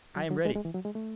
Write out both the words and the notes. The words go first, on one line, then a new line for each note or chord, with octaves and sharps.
"I am ready."
F#3
F#3
G#3
G#3
E3
F#3
G#3
A3